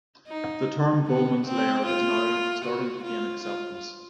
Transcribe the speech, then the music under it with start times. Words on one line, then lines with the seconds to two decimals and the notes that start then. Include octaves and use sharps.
The term Bowman's layer is now starting to gain acceptance.
0.27 D#4
1.07 B3
1.46 C4
1.86 F4
2.64 F#4
3.03 F4
3.43 F4